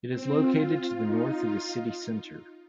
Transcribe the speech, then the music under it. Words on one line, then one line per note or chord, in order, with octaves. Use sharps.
It is located to the north of the city centre.
C4
F4
D#4
F4